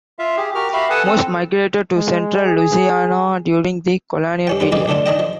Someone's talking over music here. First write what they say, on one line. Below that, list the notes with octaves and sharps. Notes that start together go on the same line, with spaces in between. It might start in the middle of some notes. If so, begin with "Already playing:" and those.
Most migrated to central Louisiana during the colonial period.
F4 E5 F5
G4 G#4
F#4 G4 A#4 F6
F#4 G4 E5 F5 B5
A4 B4 F#5 G#5 A5 D#6
C4 A4
G#3
G#4
G2 C#4 G5
G3 F4 B4
C4 D#4 F4 G#4 B4 D5
C#2 D3 A3 D4 F4
D#3 D4 D#5 G5
F3